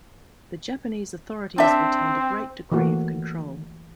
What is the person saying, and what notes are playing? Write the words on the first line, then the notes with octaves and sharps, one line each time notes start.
The Japanese authorities retained a great degree of control.
C4 D4 E5
E3 A3 A#3 F#4